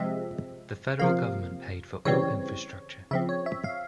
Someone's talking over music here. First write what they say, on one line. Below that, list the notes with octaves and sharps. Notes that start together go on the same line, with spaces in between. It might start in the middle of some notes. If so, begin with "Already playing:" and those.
The federal government paid for all infrastructure.
Already playing: C3 F3 G#3 C4 E5
C3 F3 A#3 F5
C#3 E3 G3 C4 C#5
C#3 F3 C4 E5
C#5
E5
F5